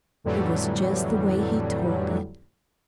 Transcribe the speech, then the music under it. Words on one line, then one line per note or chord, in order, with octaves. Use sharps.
It was just the way he told it.
F2 A2 D3 E3 F#3 G3